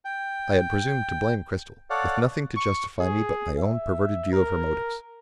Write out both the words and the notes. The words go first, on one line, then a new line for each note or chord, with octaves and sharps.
I had presumed to blame Cristel, with nothing to justify me but my own perverted view of her motives.
G5
A4 C#5 D5 F5 F#5
C#6
G#4
E5
A#4